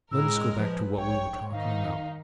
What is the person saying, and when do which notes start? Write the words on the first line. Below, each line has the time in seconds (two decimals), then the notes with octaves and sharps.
Let us go back to what we were talking about.
0.12 A2 G#3 A#4 E6
0.59 F3 B4
0.97 A#1 C#5 G5
1.52 G#2 D#3 D#4 F5